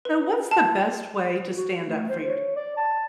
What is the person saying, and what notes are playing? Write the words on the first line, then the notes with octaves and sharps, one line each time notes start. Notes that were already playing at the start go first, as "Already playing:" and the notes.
So what's the best way to stand up for yours
B4
A5
F#4
A3
C5
C#5
D5
A5